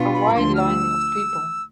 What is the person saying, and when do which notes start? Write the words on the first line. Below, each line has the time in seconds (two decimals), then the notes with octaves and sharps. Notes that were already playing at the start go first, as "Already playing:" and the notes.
A wide line of people.
Already playing: B2 B3 D4 F4
0.14 B5
0.34 D2 D3 F3 C6 D6
0.55 F6
0.60 E6